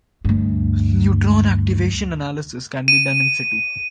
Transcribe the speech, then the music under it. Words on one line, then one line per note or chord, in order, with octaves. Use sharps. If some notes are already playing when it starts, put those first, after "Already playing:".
Neutron activation analysis can be done in situ.
D2 G2
D#7